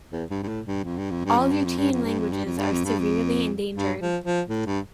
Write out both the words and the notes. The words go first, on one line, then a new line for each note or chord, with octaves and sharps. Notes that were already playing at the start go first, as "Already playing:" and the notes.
All Utian languages are severely endangered.
E2
G2
G2
A2
G2
F2
G2
F2
G2
F2
G2
F2
G2
F2
G2
F2
G2
F2
G2
F2
G2
F2
G2
F3
F3
A2
G2